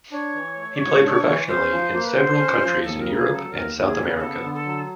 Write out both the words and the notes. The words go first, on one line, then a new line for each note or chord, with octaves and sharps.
He played professionally in several countries in Europe and South America.
D4 C#5
E3
A3
D5
G#2 C#5
D4
E3
C#4 C5
F3
A#3
B4
D3 C5
C#4
F3
D#2 A4
A#4
C#3
G#4
F#3
A4
D#2 A#4
D#2
G#4
C#3 A#4
G#4
B3 A4
D3
A4
F#3